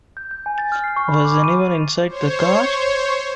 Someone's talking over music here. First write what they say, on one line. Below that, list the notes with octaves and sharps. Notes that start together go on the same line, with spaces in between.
Was any one inside the car?
G6
G6
G#5
A6
F6
C7
C#6
B5
D6
D#7
C5 C#5